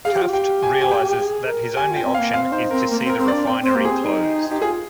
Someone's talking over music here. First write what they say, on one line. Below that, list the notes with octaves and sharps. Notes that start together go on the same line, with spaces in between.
Taft realizes that his only option is to see the refinery closed.
G#4 F5
G4
F4
G4 G5
G#5
G#5
G5
G#4
A#4
G4 G#5
F4
G5
C4
F5
A#3
C4 F5
D#4 C5
C4 A#4
A#3
A#3
C4
A#4
C4
D5
D4
C4 G5
C4
C5
A#3 G4
C4 G#4
D#4
D#4 G4
F4 G#4